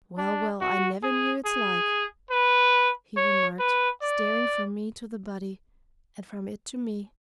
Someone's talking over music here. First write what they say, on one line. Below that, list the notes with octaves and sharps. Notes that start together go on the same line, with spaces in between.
"Well, well, I never knew its like!" he remarked, staring from me to the body, and from it to me.
D4
F#4
G#4
G#4
B4
C#5
B4
D5